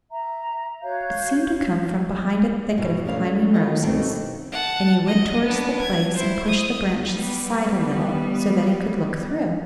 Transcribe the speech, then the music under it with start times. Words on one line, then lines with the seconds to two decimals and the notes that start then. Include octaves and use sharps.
It seemed to come from behind a thicket of climbing roses; and he went towards the place and pushed the branches aside a little, so that he could look through.
0.10 E5 A#5
0.81 F#4 C#5 F5 G6
2.21 G3
2.77 E2 G2 B2
3.05 G3 A3 C#4 D5 F5
3.54 F#3 G3 A3 B3 F4 D#5
3.82 F#2 B2 A3 C4 D4 D#4
4.52 F#5 A5
5.07 D#5
5.44 B3 D4
5.81 G#6
6.14 E4 C5
6.48 D#6
7.07 G3 B3